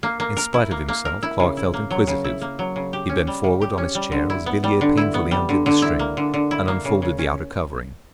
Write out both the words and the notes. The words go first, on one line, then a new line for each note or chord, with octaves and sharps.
In spite of himself Clarke felt inquisitive; he bent forward on his chair as Villiers painfully undid the string, and unfolded the outer covering.
A#3
A#3
A#4
E4
A#3
A#3
A#4
E4
C#3
E4
A#3
F#3
C#3
E4
A#3
F#3
C#3
G4
C#4
G3
C#3
G4
C#4
G3
D3
E4
B3
G3
D3
E4
B3
G3
D3
D3
E4
A#3
D3
D3
E4
A#3
C#3
C#3
C#4